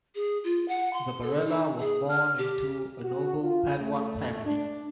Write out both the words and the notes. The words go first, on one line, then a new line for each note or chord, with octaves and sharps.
Zabarella was born into a noble Paduan family.
G#4
F4
F#5
C6
A4
D#4
G#4
F6
G4
F#4
F4
A3
D4